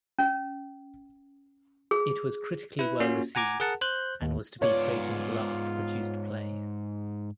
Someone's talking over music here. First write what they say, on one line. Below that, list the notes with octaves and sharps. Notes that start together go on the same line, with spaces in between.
It was critically well received and was to be Creighton's last produced play.
C#4
G#4
E4 B4
A#3 C#4 F4 F#4
F#5 G#5 A#5 D6 G#6
G#4 A#4 F#5 A5
C5 F#6 G6
D#2
G#2 B3 F4 C#5 D5